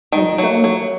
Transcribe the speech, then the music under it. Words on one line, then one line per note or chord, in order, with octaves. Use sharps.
And some
D#3
F#3
F#3